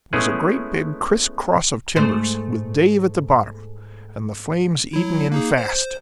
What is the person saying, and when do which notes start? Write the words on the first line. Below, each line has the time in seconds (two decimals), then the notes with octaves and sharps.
It was a great big criss-cross of timbers, with Dave at the bottom, and the flames eating in fast.
0.13 G#3 A3 B3 C#4 E4 G#4
1.96 G#2 A3 C5
4.93 F#3 E4
5.32 A#3 D#4 G#4
5.58 C5